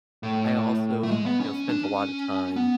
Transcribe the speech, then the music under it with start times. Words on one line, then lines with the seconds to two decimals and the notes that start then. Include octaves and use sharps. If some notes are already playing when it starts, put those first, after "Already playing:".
I also, you know, spent a lotta time,
0.23 A2
1.03 A3
1.11 G#3
1.25 B3
1.40 C#4
1.69 D4
1.83 C#4
2.56 B3